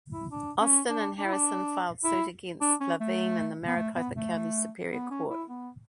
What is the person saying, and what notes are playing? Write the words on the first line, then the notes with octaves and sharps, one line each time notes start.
Austin and Harrison filed suit against Laveen in the Maricopa County superior court.
E4
D4
C#4
D4
D4
E4
D4
E4
D4
C#4
A3
B3
A3
B3
A3
B3
C#4
E4
B3